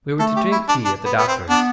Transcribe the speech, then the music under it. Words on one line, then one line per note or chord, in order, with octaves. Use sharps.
We were to drink tea at the Doctor's.
A3 A4
G4
E4
D4
D4
B3
B3
C4
B3 D4